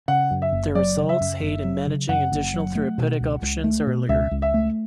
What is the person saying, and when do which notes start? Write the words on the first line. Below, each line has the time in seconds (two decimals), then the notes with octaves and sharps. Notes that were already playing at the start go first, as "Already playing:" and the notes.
The results aid in managing additional therapeutic options earlier.
0.08 C#3 F#5
0.31 F#2
0.42 E5
0.52 F#1
0.75 F#3 D5
0.97 C#3
1.09 E5
1.20 F#2
1.42 F#1
1.64 F#3
1.87 C#3
2.08 F#2 F#5
2.32 F#1
2.54 F#3
2.75 A3
2.98 B2
3.20 C#2
3.42 C#2
3.64 A3
3.87 B2
4.09 C#2 E5
4.31 C#2
4.42 E5
4.54 A3